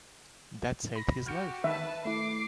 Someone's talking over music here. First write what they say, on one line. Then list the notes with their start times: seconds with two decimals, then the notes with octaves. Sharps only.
That saved his life.
0.96 B5 A#6
1.26 F#4 G4 F6 G6 C#7
1.64 D#3 B4 E5 A5
2.05 A3 E4 D6 C7